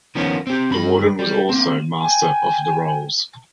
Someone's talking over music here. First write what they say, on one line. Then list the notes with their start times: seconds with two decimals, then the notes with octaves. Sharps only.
The warden was also Master of the Rolls.
0.15 D#3 F3 A#3 B3 C#4
0.47 C4 G4
0.70 G2 B5
1.19 G3
1.49 A#3 C4
2.00 G5 G#5